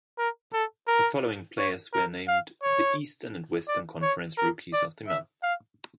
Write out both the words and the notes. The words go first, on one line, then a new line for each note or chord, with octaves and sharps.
The following players were named the Eastern and Western Conference Rookies of the Month.
A#4
A4
A#4
C#5
A#4
F5
C#5
D5
C#5
A#4
D5
E5
F5